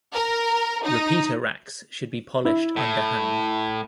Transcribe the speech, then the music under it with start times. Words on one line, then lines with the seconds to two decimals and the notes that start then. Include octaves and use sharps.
Repeater racks should be polished underhand.
0.14 A#4
0.85 D#4
2.45 E4
2.76 A2